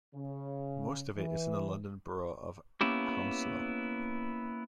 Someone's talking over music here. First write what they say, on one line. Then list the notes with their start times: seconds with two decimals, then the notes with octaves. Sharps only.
Most of it is in the London Borough of Hounslow.
0.14 C#3
1.17 E3
2.81 A#3 B3 C#4 E4 G4